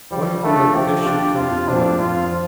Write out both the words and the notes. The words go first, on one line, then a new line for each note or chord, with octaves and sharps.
Wonderful that this should come upon me!
F3 G3
A3 D4 F4
F3 G4
D4 F4
F2 F4
F3 C4 D4
F2 F4
F3